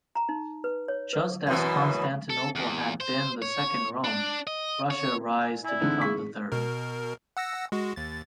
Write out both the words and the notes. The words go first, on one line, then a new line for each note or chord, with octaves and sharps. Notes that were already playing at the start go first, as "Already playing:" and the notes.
Just as Constantinople had been the Second Rome, Russia rise to become the Third.
A#5
D#4
B4
C#5
B4
F#2 B2 E3
A4
E2
C5
C#5
D4
D#5
C#5
G#5
E4 D5 G#5
D3 E3 G#3 C4 D#4
G#3 G#4 C#6 B6
B2 A#4
F#5 E6 A#6
G#3 F#4
D#2 A6